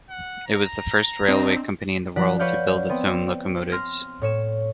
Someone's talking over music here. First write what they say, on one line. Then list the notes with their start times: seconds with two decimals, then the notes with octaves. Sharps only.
It was the first railway company in the world to build its own locomotives.
0.10 F#5
0.47 A#5
1.28 C4 D4 D#5
2.16 F3 D5 F#5 B6 C7
2.39 B4 C#5 D5 F5 F#5 G6
2.89 B3 C4 G5
3.72 C6 F6 A#6
4.21 A2 C#5 E7